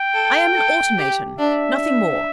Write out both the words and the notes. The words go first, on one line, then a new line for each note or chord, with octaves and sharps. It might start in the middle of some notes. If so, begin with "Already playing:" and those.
'I am an automaton--nothing more.
Already playing: G5
A4
A4
G4
D4 E5